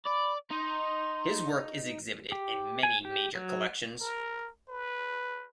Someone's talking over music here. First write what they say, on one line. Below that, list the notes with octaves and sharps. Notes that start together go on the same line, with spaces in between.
His work is exhibited in many major collections.
D5 B5
D#4 C6
G4
G#5
G4
F#3
A#4
B4